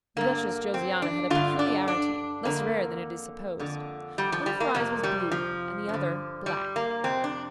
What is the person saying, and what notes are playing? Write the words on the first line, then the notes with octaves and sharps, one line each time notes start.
The Duchess Josiana had a peculiarity, less rare than it is supposed. One of her eyes was blue and the other black.
G2 D3 A#3
C4
D4
G2 D3 F4
D4
D4
F2 D3 A#3
F2 D3
G3
F3
G3
A#3
F2 C3 A#3
G3
F3
G2 D3
G3
A#3
F2 C3 C4
D4